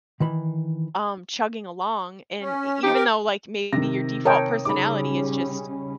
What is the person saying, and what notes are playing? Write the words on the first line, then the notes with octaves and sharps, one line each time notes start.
um, chugging along and e even though like maybe your default personality is just,
D#3 E3 B5
C#4
F3 D#4 G4
A#4
C3 D#3 A#6
A#4 C#5 G5 A5 D#6
C#3 G3 C#4 D#4 G#4 B5 D6